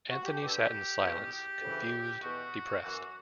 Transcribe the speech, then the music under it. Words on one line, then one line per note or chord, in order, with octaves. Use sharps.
Anthony sat in silence, confused, depressed.
F#4
G4
G2 D3 G4
A4
G4
E2 B2
G4
D2 C#3 E3
E2 B2 F#4
F#2 E3